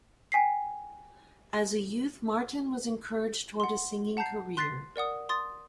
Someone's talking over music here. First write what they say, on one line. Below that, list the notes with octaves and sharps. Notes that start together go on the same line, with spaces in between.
As a youth Martin was encouraged toward a singing career.
G5 G#5 B6 C7
F#5 C6
F#5 A5 A#5 G6 C7
C6 F#6 A6 B6 C7
A#4 D5 F#5 D#6
C6 D#6 A6